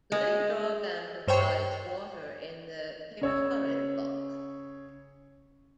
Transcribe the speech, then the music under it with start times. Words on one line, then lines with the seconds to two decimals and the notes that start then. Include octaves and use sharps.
Lake Darvan provides water in the Katehari block.
0.12 G#3
1.28 G2 C5 C#5 G5 C#6
3.21 C#3 C#5 E6